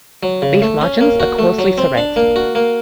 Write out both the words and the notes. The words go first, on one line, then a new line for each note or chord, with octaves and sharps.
Leaf margins are coarsely serrate.
F#3
C#3
A3
C#4
A#3
F#4
A3
F#3
C4
D4
A#3
F#4
A#3